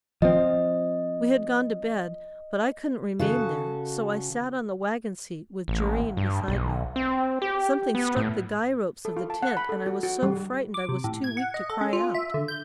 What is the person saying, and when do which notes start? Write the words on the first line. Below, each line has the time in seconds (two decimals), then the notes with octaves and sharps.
We had gone to bed, but I couldn't remain there; so I sat on the wagon-seat with Jerrine beside me. Something struck the guy ropes of the tent, and I was so frightened I was too weak to cry out.
0.22 F3 C4 D#5
3.19 C#3 F#4 A4
5.68 A1
6.17 G2
6.48 B1
6.96 C4
7.42 G4
7.95 B3
8.16 A2
9.05 A4
9.17 F4
9.30 A5
9.42 F#5
9.57 B5
9.69 A4
9.86 F#4
10.03 F#4
10.23 G3
10.74 D6
10.89 C3
11.04 A2
11.24 G#6
11.37 F#5
11.54 D#5
11.70 A4
11.81 C#4
11.93 F4
12.14 E5
12.34 D3
12.48 G6